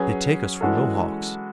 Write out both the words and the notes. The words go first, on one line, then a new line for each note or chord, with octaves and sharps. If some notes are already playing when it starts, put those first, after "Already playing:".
They take us for Mohawks.
Already playing: F#3 C#4 G#4 B4
E3 G#3 C#4 F#4 A4